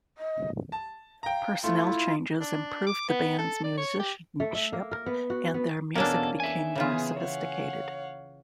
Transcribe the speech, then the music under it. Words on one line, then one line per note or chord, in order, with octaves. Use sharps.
Personnel changes improved the band's musicianship and their music became more sophisticated.
D#5
A5
F5 G5 A#5
A3 E4 F4
D4
D6
B3
A4
D5
C#5
G4
A3
E5
A#3
A#4
B3
F#4
B3
E2 B2 A#3 C#4 D4 A4
E5 G#5
C#3 E3 B3 F4 G#4
C#5 F5 F#5